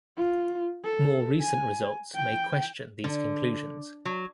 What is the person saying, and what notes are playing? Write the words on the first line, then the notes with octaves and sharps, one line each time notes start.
More recent results may question these conclusions.
F4
A4
G#5
G5
D3
F#3